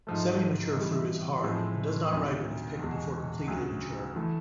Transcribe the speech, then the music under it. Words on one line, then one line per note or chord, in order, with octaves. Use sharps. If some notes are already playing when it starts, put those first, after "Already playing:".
Semi-mature fruit is hard and does not ripen if picked before completely mature.
G#2 F3 A3
C3 E3 G3
A2 F3 G#3 C4
D2 C3 D#3 F#3
E2 B2 G#3
D2 C#3 F#3
E3 A3